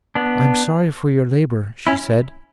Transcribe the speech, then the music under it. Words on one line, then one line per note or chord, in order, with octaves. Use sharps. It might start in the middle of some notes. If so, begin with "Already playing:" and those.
"I am sorry for your labor," she said.
B3 D4
C#4 E4